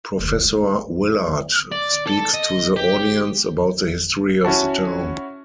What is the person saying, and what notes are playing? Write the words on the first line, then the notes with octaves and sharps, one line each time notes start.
Professor Willard speaks to the audience about the history of the town.
F1 D2
D1 G3
G#2
D5
A4
D#5
G4
C#4 E4 F#4 A5